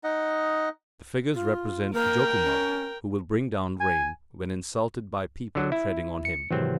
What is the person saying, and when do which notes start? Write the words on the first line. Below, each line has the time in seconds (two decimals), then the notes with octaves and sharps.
The figures represent Jokumara, who will bring down rain, when insulted by people treading on him.
0.04 D#4 D#5 F#5
1.34 F4
1.93 A#3 A#4 G5
2.43 C#4
3.81 G#5
5.55 D3 F#3
5.72 E4
6.25 C#7
6.51 G#1 C3 E3 F#3 C4